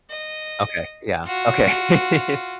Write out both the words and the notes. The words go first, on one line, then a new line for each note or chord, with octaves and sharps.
Okay, yeah, okay.
D#5
F4 F#4